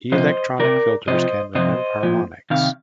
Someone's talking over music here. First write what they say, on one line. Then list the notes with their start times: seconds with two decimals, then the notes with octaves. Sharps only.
Electronic filters can remove harmonics.
0.12 C3 F3 C5 D#5
0.59 C3 D#3 A#4 D5
1.08 C3 F3 C5 D#5
1.55 C3 F3 C5 D#5
2.03 A#2 F3
2.50 C3 D#3 F5